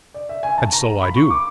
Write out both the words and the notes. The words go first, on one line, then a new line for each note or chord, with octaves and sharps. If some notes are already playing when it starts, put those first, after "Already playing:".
'And so I do.
D5
E5
G#5
A5
A#5
B5
C#6
D6